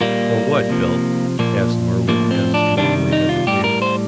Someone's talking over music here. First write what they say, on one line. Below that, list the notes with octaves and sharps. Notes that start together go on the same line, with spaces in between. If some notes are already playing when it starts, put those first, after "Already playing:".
"Or what, Bill?" asked Merwin, as Longley hesitated.
A#2 G3 A#3
C3 F3
A#2 F3 A#3
A2 F3 A#3
C4
D4
C3 D#3 G3 D4
D#4
F4
A2 G3 G4
A#4
C5